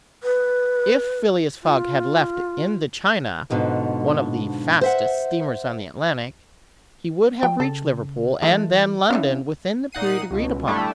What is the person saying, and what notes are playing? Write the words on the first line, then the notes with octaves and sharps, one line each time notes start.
If Phileas Fogg had left in the China, one of the fastest steamers on the Atlantic, he would have reached Liverpool, and then London, within the period agreed upon.
B4
F4
G#2 B2 D3 F3
C5 E5 F#5
F3 G5
C#3 A4
E3 G#3 A3
E3 B3 C#4 F5
A#2 D#4 F#5 C7 D#7
C#2 B2
G3 A3 D4 E4